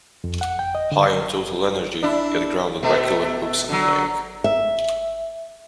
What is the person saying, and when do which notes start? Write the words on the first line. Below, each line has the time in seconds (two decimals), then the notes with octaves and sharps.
High on total energy yet grounded by killer hooks and playing.
0.24 F2
0.41 F#5
0.59 G5
0.75 D#5
0.92 D3
2.03 D4 E4
2.83 B2 A3
3.69 D3 F#3
4.44 E5